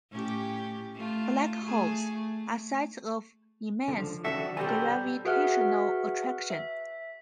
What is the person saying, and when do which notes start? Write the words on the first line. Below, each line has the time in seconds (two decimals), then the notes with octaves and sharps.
Black holes are sites of immense gravitational attraction.
0.10 A2 C#4 G4
0.95 A3 F4
1.61 A3 G#4
2.12 A3
3.88 C#2 D3 F3
4.25 D#3 F3 G3 C#4 F#4 A4 E5
4.57 B2 F#3 G3 A4 C5 C#5 G#5 A#5
5.25 F#4 G#4 B4 E5 F#5 F6
6.50 E5